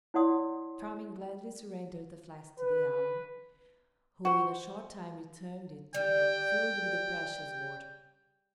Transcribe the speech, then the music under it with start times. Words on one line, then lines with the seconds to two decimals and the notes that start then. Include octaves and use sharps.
Charming gladly surrendered the flask to the owl, who in a short time returned it to him filled with the precious water.
0.14 E4 C#5 D5 F#5 C6 D#6
2.59 B4
4.25 F#4 C5
5.94 G3 G5